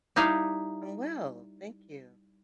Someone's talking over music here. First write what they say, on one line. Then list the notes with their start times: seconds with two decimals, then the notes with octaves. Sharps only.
I'm well, thank you.
0.16 G3 D#4 E4 F5